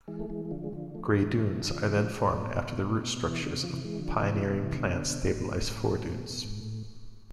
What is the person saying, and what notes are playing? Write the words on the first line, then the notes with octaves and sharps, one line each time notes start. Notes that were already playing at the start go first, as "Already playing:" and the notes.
Grey dunes are then formed after the root structures of pioneering plants stabilize foredunes.
E3 G#3
A3
E3 G#3
G#3
D3 F3
G#3
D3 F3
F3 A3
E3 G#3
C3 E3
D3 F3
F3
C3 E3
D3 F3
A2
B2
B2
E3
D3
C3
F3
C3 E3
E3 G#3
D3 F3
C3 E3
C3
B2 D3
C3 E3
B2 D3
A2
B2
B2
G#2
A2